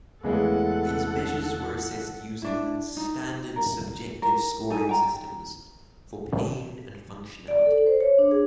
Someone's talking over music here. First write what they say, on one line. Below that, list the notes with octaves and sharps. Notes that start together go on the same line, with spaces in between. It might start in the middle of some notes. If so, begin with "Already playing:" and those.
These measures were assessed using standard subjective scoring systems for pain and functionality.
E2 C#3 E3 G#3 A3 B3 A4 F#5
D4 E4
D#4
A#4
A#4
D#4 A4 G#5
G5 A#5
D5
A4
C5
C#5
D4
G#4